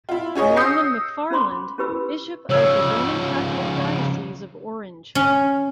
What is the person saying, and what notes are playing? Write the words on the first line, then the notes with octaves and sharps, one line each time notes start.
Norman McFarland, Bishop of the Roman Catholic Diocese of Orange.
E4 F4
C#4 G#4 C#5 D#5
D#6 E6 G6 A#6 C7 C#7
C#4 F4 C5 B5 C6 D6
C#4 E4 G4 B4 B5 E6
C#3 F3 C#5 E6 G#6
C#4